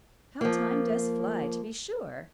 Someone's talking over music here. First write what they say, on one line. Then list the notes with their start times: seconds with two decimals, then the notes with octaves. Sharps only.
How time does fly, to be sure!
0.41 F3 A#3